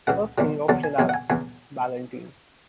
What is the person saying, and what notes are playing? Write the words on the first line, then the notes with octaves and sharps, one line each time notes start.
"First King of Shannara" Ballantine.
C#2 C#3 E3 F#5
E2 D3 F#3
E2 D3 F#3 A5
G#5
E2 C#3 F#3 G#5
F#5
G#5
E2 C#3 E3 G#5